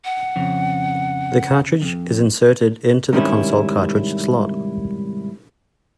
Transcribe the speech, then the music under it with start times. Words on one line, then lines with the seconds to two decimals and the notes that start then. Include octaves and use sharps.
The cartridge is inserted into the console cartridge slot.
0.05 F#5
0.36 F2 C#3
1.82 F2
3.13 G#2 C3 D#3 G3 C#4 E4